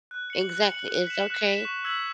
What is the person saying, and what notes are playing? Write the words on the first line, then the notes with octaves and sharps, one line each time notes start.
Exactly, it's okay.
F#6
C#7 F#7
F#6
C#7 F#7
F#6
B6 E7
F#6
B6 E7
C#6
E6 G#6 B6 F#7